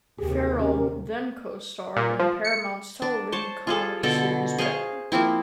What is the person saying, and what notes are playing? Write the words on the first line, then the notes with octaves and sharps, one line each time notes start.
Farrell then co-starred on Paramount's television comedy series "Becker".
D#2 C3 G4 G#4
C#4 G4 A#4
A#2
F3
C#7
D4
C5 C#5 A5
F4 G#4 A4
B2 D3 A4
G#4 C5 F5 C#6
F3 A#3 C4 E4